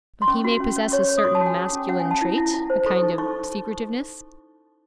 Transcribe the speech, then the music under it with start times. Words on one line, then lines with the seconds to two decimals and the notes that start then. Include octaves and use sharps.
'But he may possess a certain masculine trait, a kind of secretiveness.'
0.22 C6
0.28 C#4 C#6
0.44 F#4
0.60 C#4
0.77 C#4
0.92 C#5 C#6
1.09 C#5
1.18 D#6
1.25 F#4 C#6
1.35 A5
1.41 F#4
1.46 G#5
1.57 G#4
1.73 C#4
1.89 C#4 F#5
2.00 G#5
2.05 C#4
2.11 A5
2.21 E4
2.38 E4
2.54 E4
2.70 C5
2.86 A4 C#6
3.02 D#4
3.18 D#4 C#6